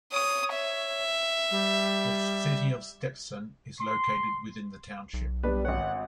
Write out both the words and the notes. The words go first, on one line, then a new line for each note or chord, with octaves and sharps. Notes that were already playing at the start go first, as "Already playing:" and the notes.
The city of Stephenson is located within the township.
C#5 D#6
E5
G3
C6
B1
G3 B3 D4 B4
G#1 C#5 F#5